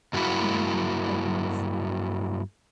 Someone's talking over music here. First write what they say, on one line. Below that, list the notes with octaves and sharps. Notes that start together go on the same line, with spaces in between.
Oh my goodness.
G2 F#3 A#3 B3 E4 F#4